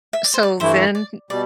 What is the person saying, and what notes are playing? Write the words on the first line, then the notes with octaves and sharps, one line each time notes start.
So then,
E5
D5
C5
D5
G2 E3 A3 E4 C5 E5
D5
B2 G3 D5